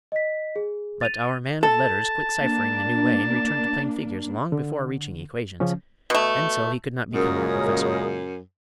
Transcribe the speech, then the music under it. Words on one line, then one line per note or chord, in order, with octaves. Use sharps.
But our man of "letters" quit cyphering the new way, and returned to plain figures long before reaching equations; and so he could not become our professor.
D#5 B6
G#4
A6 D#7 F7
A4 A5
A#3 D4
D3
C#3 F3 C#4
B2 A3
F#2 A#2 C#3 G#3 C#4 A#4 D#6